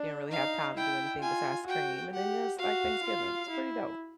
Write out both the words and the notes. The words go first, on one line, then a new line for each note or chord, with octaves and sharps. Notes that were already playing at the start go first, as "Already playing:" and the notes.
you don't really have time to do anything besides scream, and then there's like Thanksgiving, it's pretty dope.
Already playing: D4
D#4 F5
E4 G5
F4 G#5
F#4 G5
G4 F#5
F#4 F5
F4
E4